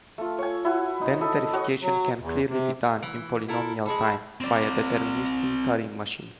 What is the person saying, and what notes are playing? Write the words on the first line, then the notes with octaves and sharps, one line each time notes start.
Then verification can clearly be done in polynomial time by a deterministic Turing machine.
A3 F4
C#5 G#5
E4 F#4
D#4
E4 A4 D#5
F#4 C#5 D#5
F#3
E2
C3
E3
E4 A4 A#4
G#3 G#4 A4 B5
C4 D5